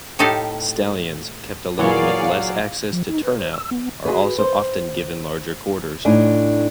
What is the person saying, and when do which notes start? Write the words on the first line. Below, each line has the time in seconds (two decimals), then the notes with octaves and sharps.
Stallions, kept alone with less access to turnout, are also often given larger quarters.
0.19 A2 D#4 G4 A4 F5
1.79 A#2 E3 F#3 G#4 A#4 C#5 D5 F5
2.93 F3
3.09 D#4
3.23 B4
3.38 C5
3.54 E6
3.71 B3
4.05 F#4 G#4 B4
4.38 C5
6.05 A2 D4 D#4 G#5